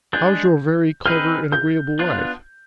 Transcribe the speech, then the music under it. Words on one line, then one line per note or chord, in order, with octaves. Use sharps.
How's your very clever and agreeable wife?
G#3 D4 G#4 G6
C4 D#4 G#4 B4 F6
G6
B3 D4 F4